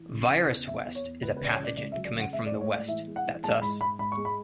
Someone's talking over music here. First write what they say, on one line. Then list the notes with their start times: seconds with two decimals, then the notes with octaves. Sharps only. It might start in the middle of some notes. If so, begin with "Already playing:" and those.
'Virus West' is a pathogen coming from the west-that's us.
Already playing: E3
0.12 C#3
0.31 C#3
0.49 E2
0.67 E2 E5
0.86 E2
0.95 C#5
1.04 E2
1.23 C#2 B4
1.37 B4
1.41 C#3 D5
1.50 C#5
1.59 C#2 D5
1.77 C#2 D5
1.92 E5
1.96 F#3
2.05 D5
2.15 C#3 F#5
2.33 G#3 E5
2.46 D5
2.52 A2
2.61 C#5
2.70 G#3 D5
2.88 E3 E5
3.07 G#3
3.16 F#5
3.25 E3
3.44 G#3 A5
3.62 G#2 B5
3.80 G#2 B5
3.99 G#2 B5
4.12 C#6
4.17 G#3
4.25 B5